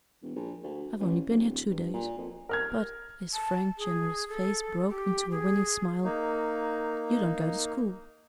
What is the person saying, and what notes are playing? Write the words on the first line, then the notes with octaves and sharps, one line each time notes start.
I've only been here two days. But"--his frank, generous face broke into a winning smile--"you don't go to school.
E1
A#1
D2
A1
D1
G2
A#2
F2
A#4 F6 G#6
A5
G#4
A4
G4
G#4
A#3 D#4